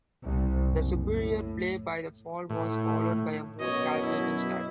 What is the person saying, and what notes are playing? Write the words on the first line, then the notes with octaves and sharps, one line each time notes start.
The superior play by the fall was followed by a more calculating style.
C2
F#1
A2
A2
F#2 B2 F#3 C#5 D#5
E4